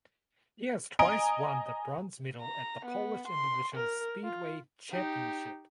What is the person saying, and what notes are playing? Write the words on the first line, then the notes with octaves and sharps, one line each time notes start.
He has twice won the bronze medal at the Polish Individual Speedway Championship.
D#5 G#5 A#5 D7
A#5
B3
C6
A#4
F4
D#4 G4